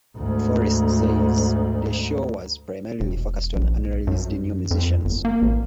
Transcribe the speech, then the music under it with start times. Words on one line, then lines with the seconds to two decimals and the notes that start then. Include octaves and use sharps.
Forrest says, The show was primarily focused on unreleased new musicians.
0.16 D2 G#2
3.00 E1
3.55 A#1
4.07 F#2
4.71 F2
5.05 G1
5.25 A#3
5.42 A1